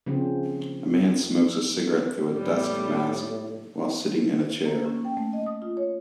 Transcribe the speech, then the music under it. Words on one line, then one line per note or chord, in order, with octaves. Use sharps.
A man smokes a cigarette through a dusk mask while sitting in a chair.
C#3 F3 C4
A2 G3 B3
A#3
C#4
G5
A3
D#5
D#6
F4
C#5